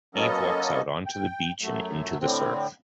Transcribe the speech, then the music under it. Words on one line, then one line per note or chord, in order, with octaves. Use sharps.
Eve walks out onto the beach and into the surf.
F#3 A#3 B3 C#4 A4 D#5
G5
F#2 F#3 A3
A2 D3 C4